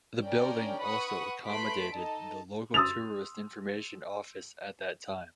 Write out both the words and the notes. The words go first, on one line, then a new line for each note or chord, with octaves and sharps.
The building also accommodated the local tourist information office at that time.
C#4 D4 A#4 D5 G5
B4 F#5 B5 C#6 D#6
A3 B4 B5 C6 B6 D7
D#4 A4 D#5 A5
C6 D#6 E6 A6 F7